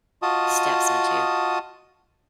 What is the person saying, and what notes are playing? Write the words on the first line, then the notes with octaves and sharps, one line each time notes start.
stepson too,
F4 F#4 D#5 A5 D#6